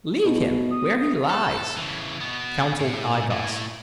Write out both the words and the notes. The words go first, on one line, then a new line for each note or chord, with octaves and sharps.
"Leave him where he lies," counseled I-Gos.
B2
D#6
A4
C#3 E3
B2 B3
A2
A2